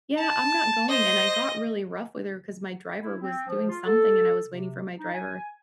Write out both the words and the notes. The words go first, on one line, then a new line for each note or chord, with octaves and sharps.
"Yeah, I'm not going," and I got really rough with her 'cause my driver was doing something and I was waiting for my driver.
A5
C5 D#5
E4
C4
F3
F4
A4
C3
D#4
G#5